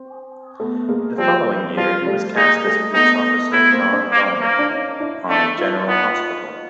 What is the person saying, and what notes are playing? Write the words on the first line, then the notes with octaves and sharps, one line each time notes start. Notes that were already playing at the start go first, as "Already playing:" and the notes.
The following year, he was cast as police officer Sean Donely on "General Hospital".
Already playing: C4
A3 B3
G#3 A#3
F3 G3 C4
F3 G3 F4
G3 A3
G#3 A#3 D#4
G3 A3
A3 B3 D#4
A3 B3 E4
A#3 C4
C4 D4
A#3
A#3
D4
C#4 D#4
D4 E4
A3 D4 E4
D#4 F4
B3